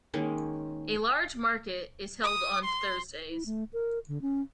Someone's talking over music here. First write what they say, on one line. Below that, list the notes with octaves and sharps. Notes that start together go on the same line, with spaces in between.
A large market is held on Thursdays.
D#3 G#3 A#3 C#4
D#6
C6
E4
A3
A#4
D3
C#4